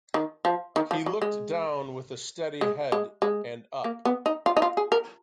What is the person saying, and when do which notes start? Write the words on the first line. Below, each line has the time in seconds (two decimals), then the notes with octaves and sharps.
He looked down with a steady head, and up.
0.14 D#3
0.45 F3
0.76 D#3
0.91 F3
1.06 F#3
1.22 G#3
2.61 G#3
2.92 G#3
3.22 G#3
3.84 A#3
4.05 B3
4.26 D#4
4.46 F4
4.57 D#4
4.62 F4
4.77 G#4
4.92 A#4